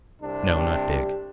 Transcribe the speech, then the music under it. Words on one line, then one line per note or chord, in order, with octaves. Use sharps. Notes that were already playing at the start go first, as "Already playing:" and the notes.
"No, not big."
C2 C3 D4
G4